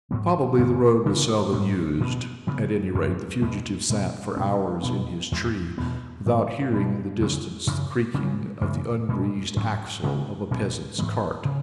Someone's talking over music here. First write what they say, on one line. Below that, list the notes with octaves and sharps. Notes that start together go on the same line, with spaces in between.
Probably the road was seldom used; at any rate the fugitive sat for hours in his tree, without hearing in the distance the creaking of the ungreased axle of a peasant's cart.
G#2 F#3 B3
F#2 C#3 E3 C#4
C#3 E3 B3
G#2 F#3 B3
B2 B3
C#3 F#3 B3
F#2 F#3 C#4
E2 B2 G#3 B3
B2 G#3 C#4
B2 G#3 C#4
B2 B3
E2 E3 G#3
E2 B2 B3
G#2 E3 B3
B2 B3
E2 C#3 F#3 C#4
F#2 C#3 E3
C#3 F#3 C#4
F#2 C#3 E3
B2 G#3 B3
G#2 F#3 C#4
C#3 G#3 C#4
B2 F#3 C#4
G#2 E3 G#3 B3
C#3